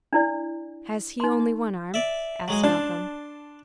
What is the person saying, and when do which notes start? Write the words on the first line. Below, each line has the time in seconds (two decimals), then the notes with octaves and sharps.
"Has he only one arm?" asked Malcolm.
0.13 D4 E4 D5
1.20 D#4 C6
1.94 D5 E5
2.48 F#3 G#3 G#4
2.64 D4 A5 C6